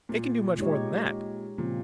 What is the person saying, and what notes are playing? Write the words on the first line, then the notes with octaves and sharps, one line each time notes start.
It can do much more than that.
A#2
G#3 D#4 G4 C#5
A#2 C#3 F3 C4 F4